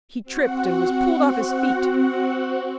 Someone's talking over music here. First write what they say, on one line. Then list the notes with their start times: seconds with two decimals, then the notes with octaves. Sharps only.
He tripped and was pulled off his feet.
0.23 C4 F#4 F#5